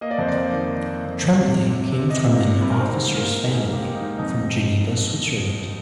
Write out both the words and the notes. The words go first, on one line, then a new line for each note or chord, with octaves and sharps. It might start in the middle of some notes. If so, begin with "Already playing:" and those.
Trembley came from an officer's family from Geneva, Switzerland.
A#3 D#5
D5
F2 C5
D5
A#3
D#3
D#3
A#3
F2
F2
C3
C3
C3
C3
C3 D#5
A#3
C3
G3
A#4
G#2 C5
G#2
A#3 A#4
G#2
G#2 G#4
A#3
G4
A#3
D#4
G#2
F2 D#4